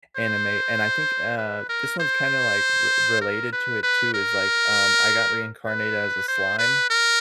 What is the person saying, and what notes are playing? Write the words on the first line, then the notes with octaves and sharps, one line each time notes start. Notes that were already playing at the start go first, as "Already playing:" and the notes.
anime, and I think, uh, this one's kinda, like, r related to it, too is, like, um, I Got Reincarnated as a Slime.
C5
B4
A#4
C5
A#4
B4
B4
A#4
B4
C5
B4
A#4